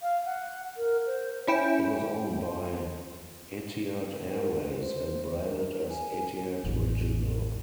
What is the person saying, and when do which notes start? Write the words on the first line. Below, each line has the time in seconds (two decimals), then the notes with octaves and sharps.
It was owned by Etihad Airways and branded as Etihad Regional.
0.02 F5
0.25 F#5
0.77 A#4
1.06 C5
1.47 C#4 E4 G5
4.34 A#4
4.55 B4
4.80 C5
5.44 A#4
5.89 G#5
6.64 A1 F2